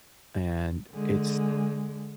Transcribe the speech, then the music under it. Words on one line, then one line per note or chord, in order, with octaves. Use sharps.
and it's
D3 G#3